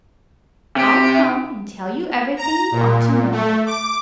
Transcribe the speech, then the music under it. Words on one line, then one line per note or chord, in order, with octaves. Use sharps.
I'll come and tell you everything you ought to know.
C3 G4
A#5
A#2
A3
D6